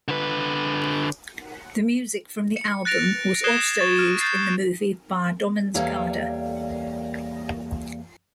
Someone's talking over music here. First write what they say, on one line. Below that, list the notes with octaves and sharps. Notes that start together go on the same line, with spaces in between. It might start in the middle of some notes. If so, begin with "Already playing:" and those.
The music from the album was also used in the movie "Barndommens gade".
D3 B4
C#7
F#6 A6 A#6 D7 F7
D#6 F#6 G#6 C7 E7 G7
C#6 A6
F6
G6 A6 C7
E2 G3 A#3 A4 C#5 F5